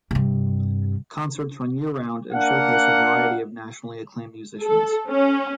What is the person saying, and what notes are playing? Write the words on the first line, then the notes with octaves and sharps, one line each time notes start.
Concerts run year round and showcase a variety of nationally acclaimed musicians.
G2 C3
A#3 D4 F5 F#5
A4
C#4